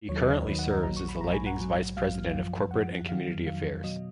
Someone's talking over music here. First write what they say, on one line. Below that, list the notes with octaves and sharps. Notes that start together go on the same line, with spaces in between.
He currently serves as the Lightning's Vice President of Corporate and Community Affairs.
D#2 D#3 F#3 C#5
D#5
C#5
D#2 D#3 F#3 B4
F#5
A#5
A#1 A#2 F#3 A#5
C#6
B5
A#1 A#2 F#3 A#5
G#5
F#5
A#1 G#2 F#3
A#1 G#2 F#3 F5
F#2 F3
F#2 F3 F#5
F2 D#3 F#3 F5
F2 D#3 F#3 F5
B2 F#3 D#5